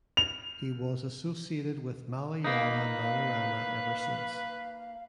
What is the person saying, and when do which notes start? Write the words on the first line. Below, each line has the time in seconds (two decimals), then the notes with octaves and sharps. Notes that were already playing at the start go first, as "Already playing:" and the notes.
He was associated with Malayala Manorama ever since.
0.17 F7
2.44 A#3 D#4 B4 F5